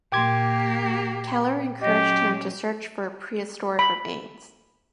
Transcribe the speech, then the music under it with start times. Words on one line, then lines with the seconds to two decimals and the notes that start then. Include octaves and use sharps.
Keller encouraged him to search for prehistoric remains.
0.12 A#2 A#3 G4 G5 C6 D6 G#6
1.81 F#3 C#4 G4 D#5 A#6
3.79 B5